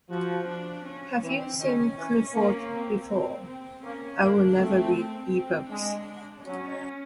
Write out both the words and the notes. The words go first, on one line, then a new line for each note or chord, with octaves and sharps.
Have you seen Clifford before? I will never read E-Books.
F3 F#4
D4
C#4
E3 C4
D#3 C#4
E3 C#4
A#3
C4
C4
C4
A#3 C#4
A#3 D4
A3 C4
C4
C4
G#3 D4
F#3 C#4